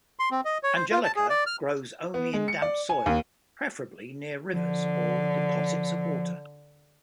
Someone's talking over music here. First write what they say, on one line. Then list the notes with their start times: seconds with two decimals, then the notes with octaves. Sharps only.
"Angelica" grows only in damp soil, preferably near rivers or deposits of water.
0.19 C6
0.31 C4
0.45 D#5
0.63 C#5
0.76 C5
0.91 F4
1.04 A5
1.16 G#4
1.30 D5
1.46 F6
2.14 B3
2.33 G#3
2.48 C#7
2.62 D5
2.89 G#5
3.06 D#2
4.53 D3 F3